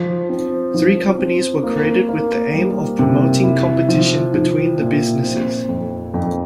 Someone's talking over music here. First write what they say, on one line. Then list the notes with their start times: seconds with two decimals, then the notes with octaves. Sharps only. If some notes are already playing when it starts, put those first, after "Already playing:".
Three companies were created with the aim of promoting competition between the businesses.
Already playing: F3
0.29 C4
0.74 F3
1.19 C4
1.64 A#3
2.09 A#3
2.54 G3
2.99 C3
3.44 E4
3.89 F3
4.34 F3
4.79 A#2
5.23 C4
5.69 F2
6.14 F2